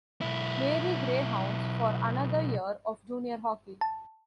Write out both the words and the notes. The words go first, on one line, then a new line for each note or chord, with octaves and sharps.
Marie Greyhounds for another year of junior hockey.
B1 E4
A5